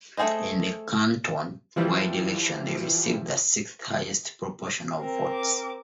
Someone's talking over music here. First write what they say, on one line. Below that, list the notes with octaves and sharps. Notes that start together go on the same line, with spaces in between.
In the canton-wide election they received the sixth highest proportion of votes.
A3 F#4 G#4 C5 D#5
E3 F3 G3
C4 A#4
D6